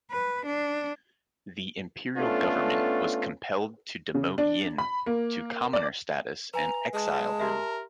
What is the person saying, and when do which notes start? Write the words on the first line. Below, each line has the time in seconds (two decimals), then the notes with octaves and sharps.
The imperial government was compelled to demote Yin to commoner status and exile him.
0.12 B4
0.46 D4
2.17 A3 B3 C#4 D4 F4 A4
4.14 C#3
4.38 D4
4.78 B5
5.06 A#3
5.73 D5
6.54 B4 G#5 A#5
6.94 G#3 A5
7.40 G4 A#4 E5